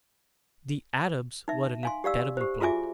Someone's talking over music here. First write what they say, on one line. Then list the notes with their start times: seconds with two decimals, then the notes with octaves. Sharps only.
The Arabs were in a terrible plight.
1.48 D#4 E5
1.83 F5 G#5 C6
2.04 G4 D5 F5 E6
2.37 G4 C5
2.61 F4 F#4 G#4 E5 G#5 D6